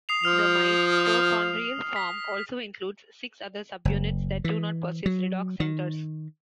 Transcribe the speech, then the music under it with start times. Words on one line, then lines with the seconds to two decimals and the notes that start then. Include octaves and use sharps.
The mitochondrial form also includes six other subunits that do not possess redox centres.
0.09 D#6 C7 F7
0.24 F3 F6 F7
1.96 B6
3.85 F#1
4.44 E3
5.06 F#3
5.60 D#3